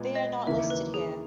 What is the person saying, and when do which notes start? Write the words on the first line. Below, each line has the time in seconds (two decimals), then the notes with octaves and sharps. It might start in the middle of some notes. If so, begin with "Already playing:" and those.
They are not listed here.
Already playing: A#2 G#3 B3
0.15 D#5
0.46 D#2 C#3 E3 A#3 E4 E5
0.70 B4
0.94 G#4